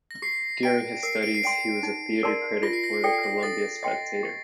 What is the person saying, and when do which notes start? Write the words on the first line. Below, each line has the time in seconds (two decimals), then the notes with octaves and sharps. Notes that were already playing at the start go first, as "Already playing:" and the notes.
During his studies, he was a theater critic for the "Columbia Spectator".
0.11 A#6
0.22 G4 C7
0.63 D5 G5 A#5 D7
1.03 A#4 C7
1.23 D7
1.34 C7
1.43 D5 G5 C6 D7
1.83 D#4
2.23 A#4 D5 A5 C6
2.63 F4 A#6
2.73 C7
2.84 A#6
2.93 C7
3.04 A4 D5 G5 A#6
3.13 C7
3.23 A#6
3.43 A4 A6
3.83 D#5 G5 C6
4.23 G4